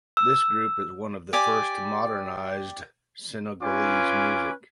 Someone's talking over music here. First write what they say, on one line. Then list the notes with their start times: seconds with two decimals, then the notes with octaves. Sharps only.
This group is one of the first to modernized Senegalese music.
0.17 E6
1.33 G4 D5 G#5
3.63 C#4 F4 B4 G#5 D6